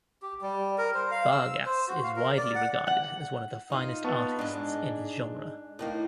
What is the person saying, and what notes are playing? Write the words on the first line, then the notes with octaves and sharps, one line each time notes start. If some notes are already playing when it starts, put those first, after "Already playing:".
Vargas is widely regarded as one of the finest artists in his genre.
G4
G3
A#4
C5
F5
E6
C5
F#4
F5
A#4
D5
F#5
F#5
D#4 F4
B3 A5 C#6
G#2 G#3 D4
A2 D#3 A#3